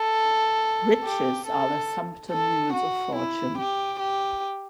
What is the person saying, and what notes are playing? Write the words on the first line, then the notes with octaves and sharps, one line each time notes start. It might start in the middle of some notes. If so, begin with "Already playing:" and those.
Riches are the sumpter mules of fortune.
Already playing: A4
G4
A4
A4
F#4
E4
G4
G4